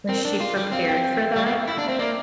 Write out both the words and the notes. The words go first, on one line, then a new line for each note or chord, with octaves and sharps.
Was she prepared for that?
C4 A#4
D4
F4 D5
G3
C4 F5
G5
G5
E5
G3 F5
A#3
E5
E4 E5
D4
C4 C5
A#3 D5